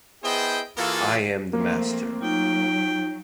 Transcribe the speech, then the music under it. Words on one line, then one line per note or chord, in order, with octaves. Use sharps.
I am the Master.
B3 E4 G#4 C5 D#5 G5
E3 A#3 F4 F#4 G#4 A4
F3 A3 A#3 C4
F#3 D#4 F4 G5